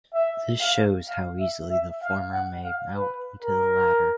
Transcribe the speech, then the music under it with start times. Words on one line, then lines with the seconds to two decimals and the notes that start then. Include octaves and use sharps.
This shows how easily the former may melt into the latter.
0.14 E5
0.61 F5
1.09 F5
1.40 E5
1.70 E5
2.03 F5
2.33 F#5
2.65 F5
2.96 B4
3.42 A#4